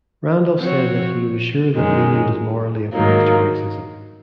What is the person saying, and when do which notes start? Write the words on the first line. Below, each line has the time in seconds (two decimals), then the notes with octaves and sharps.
Randolph said that he was sure that Meany was morally opposed to racism.
0.60 F3 C4 F#4 C#5
1.76 F#2 D#3 G#3 C#4
2.94 G#2 D#3 F#3 A#3